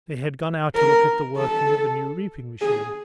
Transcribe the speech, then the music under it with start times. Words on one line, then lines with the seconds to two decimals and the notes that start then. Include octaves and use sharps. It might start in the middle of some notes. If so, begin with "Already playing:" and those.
They had gone out to look at the working of a new reaping machine.
0.75 A#4
1.37 A4
2.61 G#4